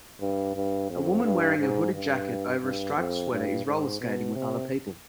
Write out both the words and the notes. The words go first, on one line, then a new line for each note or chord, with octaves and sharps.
A woman wearing a hooded jacket over a striped sweater is rollerskating with other people.
G2
G2
F2
G2
G#2
G2
G2
F2
G2
G#2
B2
C3